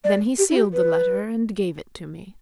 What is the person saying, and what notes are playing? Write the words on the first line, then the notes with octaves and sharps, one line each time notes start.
Then he sealed the letter and gave it to me.
D5
G4
E4
G4
B4